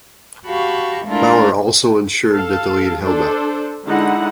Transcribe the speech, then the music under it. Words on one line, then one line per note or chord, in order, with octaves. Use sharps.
Bauer also ensured that the lead held up.
F#4 G4 F5 A5 B5 C#6
G#3 A3 D4 E4 F4 A#4
A4 F5 A5
D4 A4 C5
D3 G#3 D#4 E4 F#5